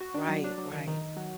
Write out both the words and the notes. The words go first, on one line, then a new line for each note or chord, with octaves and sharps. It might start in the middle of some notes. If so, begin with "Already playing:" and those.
Right, right.
F#4
D4
F#3
D4
F#3
D#3
D#3
D#3
F#3